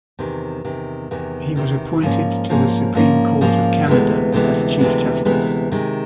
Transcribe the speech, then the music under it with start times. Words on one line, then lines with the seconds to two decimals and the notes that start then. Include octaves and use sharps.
He was appointed to the Supreme Court of Canada as Chief Justice.
0.19 E2 C3 D#3
0.64 E2 C3 D#3
1.11 E2 C3 D#3
1.56 E2 C3 D#3
2.02 G#2 F3 A#3 C#4
2.49 G#2 F3 A#3 C#4
2.94 G#2 F3 A#3 C#4
3.41 G#2 F3 A#3 C#4
3.87 D2 C3 E3 G#3 B3
4.32 D2 C3 E3 G#3 B3
4.78 D2 C3 E3 G#3 B3
5.25 D2 C3 E3 G#3 B3
5.71 C3 D#3 G#3